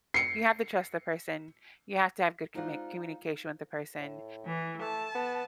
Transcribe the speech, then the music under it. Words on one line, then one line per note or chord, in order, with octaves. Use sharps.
You have to trust the person. You have to have good commit communication with the person,
C7 C#7
G#3 D#4 F4 C5 D5 F#5
A2
E3
A3 A5
B3